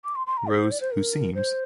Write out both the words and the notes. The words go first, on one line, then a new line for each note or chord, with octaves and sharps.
Rose who seems.
D6
C6
C6
A#5
C5
D5
C5
A#4
C5